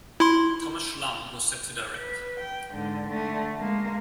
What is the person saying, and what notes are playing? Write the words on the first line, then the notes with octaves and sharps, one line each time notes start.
Thomas Schlamme was set to direct.
E4 C6
B4
G5
G#2 D3
D3 A3
G#3 A#3